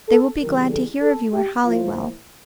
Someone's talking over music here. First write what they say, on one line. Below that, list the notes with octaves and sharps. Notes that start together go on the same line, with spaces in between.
They will be glad to hear of you at Hollywell.
A4
C#3 E3 G3 A#4
A4
A4
G4
A2 F3 A#3 E4 F4